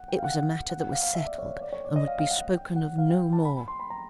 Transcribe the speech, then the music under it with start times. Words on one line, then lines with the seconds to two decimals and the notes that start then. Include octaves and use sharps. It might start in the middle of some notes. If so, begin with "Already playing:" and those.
It was a matter that was settled, and would be spoken of no more.
Already playing: F#5
0.08 G5
0.18 F5
0.24 F#5
0.70 F#5
0.80 F#5
0.92 F5
1.03 F5
1.15 E5
1.26 D5
1.38 C#5
1.61 D5
1.72 C#5
1.85 D5
1.96 D#5
2.07 F5
2.19 F5
2.31 F#5
2.41 F#5
2.53 G5
2.76 F#5
2.98 F5
3.10 G5
3.33 A5
3.45 B5
3.56 B5
3.68 C6
3.80 B5
3.90 A#5